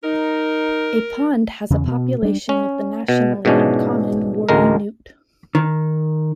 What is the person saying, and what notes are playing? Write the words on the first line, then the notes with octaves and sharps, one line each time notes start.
A pond has a population of the nationally uncommon warty newt.
D#4 A#4
E2 C#3
B2
G3 D4
C#4
B2
G#2 B2 E3 C#4 D4
A1 D2 G#3 A#4
D#3